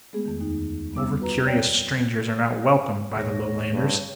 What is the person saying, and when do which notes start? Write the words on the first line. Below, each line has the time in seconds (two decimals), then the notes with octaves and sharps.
Over-curious strangers are not welcomed by the Lowlanders.
0.13 G#3 A3 B3 G#4
0.26 F2 D#3
0.40 D#2 D#4
0.93 G3 B3 D6 E6
1.19 F4 F#4 B4 A#5
1.45 C#5 D5 G5
3.15 D#2 A#2 G#4 C#5 A#6
3.70 G2